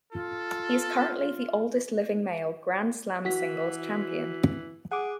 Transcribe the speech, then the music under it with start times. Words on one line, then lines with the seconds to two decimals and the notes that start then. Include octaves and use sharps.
He is currently the oldest living male Grand Slam singles champion.
0.13 F4 A4
3.25 E3 F#4 B6
4.91 G#4 F#5 D6